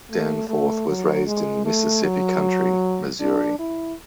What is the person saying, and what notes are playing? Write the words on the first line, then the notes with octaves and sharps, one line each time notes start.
Danforth was raised in Mississippi County, Missouri.
A3
A3
F#3
G#3
A3
F#3
D4
E4